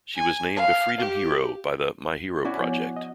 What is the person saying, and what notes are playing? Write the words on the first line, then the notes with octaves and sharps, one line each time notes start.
She was named a Freedom hero by The My Hero Project.
G#5
F5
G4
C#4 E4 F#4 D5 G#5
F3 B3 C#5
D#5